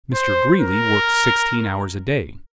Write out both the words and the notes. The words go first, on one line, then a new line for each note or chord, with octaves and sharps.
Mr. Greeley worked sixteen hours a day.
C5
A#4